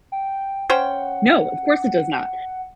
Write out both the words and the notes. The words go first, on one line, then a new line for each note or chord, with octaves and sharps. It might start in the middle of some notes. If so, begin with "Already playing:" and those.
No, of course it does not.
G5
C#4 C5 F#5 G5